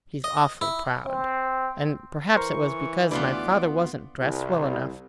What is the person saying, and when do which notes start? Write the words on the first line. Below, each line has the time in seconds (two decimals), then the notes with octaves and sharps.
He's awfully proud; and perhaps it was because my father wasn't dressed well enough.
0.24 D#5
0.61 E4
1.06 C4
2.36 E3 A#4 C5 C#6
3.11 D2 B3 F4 B4 D5
4.20 C2